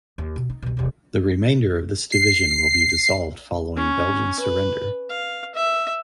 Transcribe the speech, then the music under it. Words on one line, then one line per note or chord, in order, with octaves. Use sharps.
The remainder of this division will be dissolved following Belgian surrender.
D#2
B2
D#4
C2 B2
D#1 C3
C7
C#4
B4
F5
E5